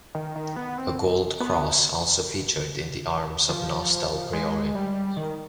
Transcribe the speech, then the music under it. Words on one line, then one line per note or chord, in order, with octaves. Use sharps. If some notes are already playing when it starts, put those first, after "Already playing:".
A gold cross also featured in the arms of Nostell Priory.
D#3
D#3
B3
C4
B3
F3
G#3
G3
D#3